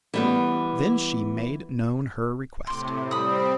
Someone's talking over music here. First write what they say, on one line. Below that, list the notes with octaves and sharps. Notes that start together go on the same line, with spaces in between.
Then she made known her request.
E3 G3 B3
A2 C3 C6 D6
G3 C4 B5 D#6